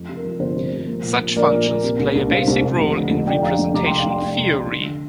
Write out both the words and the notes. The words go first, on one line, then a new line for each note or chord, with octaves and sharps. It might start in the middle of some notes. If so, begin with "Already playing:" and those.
Such functions play a basic role in representation theory.
Already playing: F2
C3
A#4
F3
G1 C5
C3
F3
A#3
A#2
A#2
A#1 A#4 D5
A#2
A#3
C3
C2
C2
C2 C5 F5
C2
C2
F1
D3
F2
F1 D5 G5
F1 F5 A#5
F2
C2 A#5 D6
G5 C6
C2
F5 A#5
C2 D5 G5
C2 D5 G5
C2
C2
D3
D3